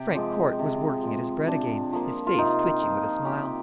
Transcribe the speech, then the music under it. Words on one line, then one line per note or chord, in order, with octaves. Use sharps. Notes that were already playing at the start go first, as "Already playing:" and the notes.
Frank Corte was working at his bread again, his face twitching with a smile.
Already playing: C3 G4
F3 G#3
C3
F3 G#3
C3 D4
F3 A#3
F4
C3 D#4
F3 A#3
C3 G4